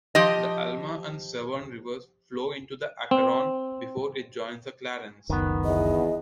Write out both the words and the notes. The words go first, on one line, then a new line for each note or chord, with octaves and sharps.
The Alma and Severn Rivers flow into the Acheron before it joins the Clarence.
F3 G4 D#5
C4
F#1 C#2 F#2 D#3 B3
E2 D#5